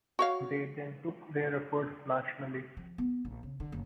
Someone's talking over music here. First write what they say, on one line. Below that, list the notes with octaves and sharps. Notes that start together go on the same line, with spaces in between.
They then took their efforts nationally.
F#4 C#5 F5
F3
B3
A#1
C#3
D3
F#1